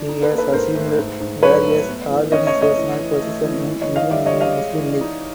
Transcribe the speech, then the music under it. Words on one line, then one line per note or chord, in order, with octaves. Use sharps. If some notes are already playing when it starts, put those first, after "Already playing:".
He has assumed various organisational positions in Indian Union Muslim League.
Already playing: D4
D#4
A4 B4
A#3
A4 B4
G#2 A#4 C5
A3
G#2
G#2
F#3 B4 C#5
A3
B3
E3
C#4 C#5 D#5
C#5 D#5
A3
C#5 D#5
E3
E3
A3
E3
E3
C#5 D#5
E3
D#5 F5
G3 D5 E5
C#5 D#5
G3
D#5 F5
G#3
E3
D#4